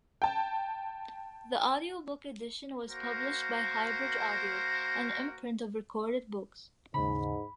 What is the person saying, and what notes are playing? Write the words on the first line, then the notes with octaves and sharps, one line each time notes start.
The audiobook edition was published by HighBridge Audio, an imprint of Recorded Books.
G5 A5
A#3 F#4 A#4 C5
D#2 G#2 C#3 B5